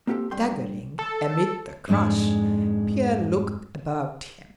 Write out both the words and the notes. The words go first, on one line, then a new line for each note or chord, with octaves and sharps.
Staggering amid the crush, Pierre looked about him.
A#3 C4 F4 G4 A4
G2 G5 C6
A4
F2 G#2 G#3 D4